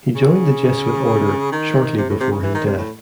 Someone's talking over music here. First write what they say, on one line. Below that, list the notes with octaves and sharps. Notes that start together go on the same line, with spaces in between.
He joined the Jesuit order shortly before his death.
C#3
D#3
C3
A2
C3
C#3
E3
D#3
C3
A2